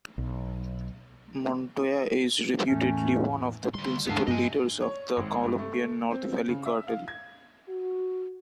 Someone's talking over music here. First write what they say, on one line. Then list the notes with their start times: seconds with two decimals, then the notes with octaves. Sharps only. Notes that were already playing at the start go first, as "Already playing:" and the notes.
Montoya is reputedly one of the principal leaders of the Colombian North Valley cartel.
0.18 B1
2.66 E2 A2 A3 C#4
3.75 D2 G3 C6
4.07 D2 G#2 D3 E3 B3 F5
4.28 G2 C3 F3 G3 D#5 G#5
4.81 C#5
5.17 G#1
5.44 G2
5.58 A3
6.11 C4
6.49 C#3
6.66 E5
6.87 F5
7.08 G#6
7.68 F#4